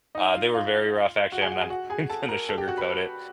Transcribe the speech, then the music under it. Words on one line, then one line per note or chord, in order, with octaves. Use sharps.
uh, they were very rough, actually, I'm not even gonna sugarcoat it.
D#4 D#5
F4 F5
F4 F5
F#4 F#5
G#4 G#5
F#4 F#5
G#4 G#5
F#4 F#5
G#4 G#5
A4 A5
A#4 A#5
A4 A5
G4 G5
F#4 F#5
B4 B5